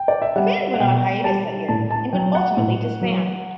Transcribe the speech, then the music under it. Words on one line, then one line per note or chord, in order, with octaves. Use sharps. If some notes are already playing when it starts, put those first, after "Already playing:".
The band went on hiatus that year, and would ultimately disband.
Already playing: G5
D5
E5
G3 F#5
F#5
B2 G5
G3 A5
A2 A5
A5
F#3 G5
F#5
A2
F#3